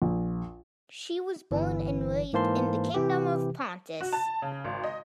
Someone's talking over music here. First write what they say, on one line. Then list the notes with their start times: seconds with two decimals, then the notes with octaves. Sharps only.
She was born and raised in the Kingdom of Pontus.
0.02 A#1
1.51 G1 E3
2.33 G#2 E3 A#3 C5 A5 C6
2.94 C3 E3 G4
4.01 F#4
4.13 A5
4.42 C#3
4.64 G#1
4.84 D#5